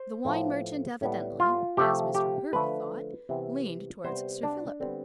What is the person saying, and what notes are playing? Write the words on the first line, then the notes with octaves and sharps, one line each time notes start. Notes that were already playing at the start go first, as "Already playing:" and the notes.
The wine-merchant evidently, as Mr. Hervey thought, leaned towards Sir Philip.
Already playing: C5
A2 F3 B3
A2 G3 B3
F4
C3 F3 A3 G4
G4
D3 F3 A3 B4
C3 E3 B3
C3 G3 B3 C5
D4
D3 G3 B3 C4